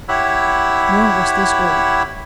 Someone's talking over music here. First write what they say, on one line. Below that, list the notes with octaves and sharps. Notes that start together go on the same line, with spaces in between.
Nor was this all.
E4 G4 C#5 F#5 B5 E6